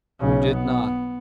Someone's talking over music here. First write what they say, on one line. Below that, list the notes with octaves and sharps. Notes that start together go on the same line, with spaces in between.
You did not!
B1 C#3
B3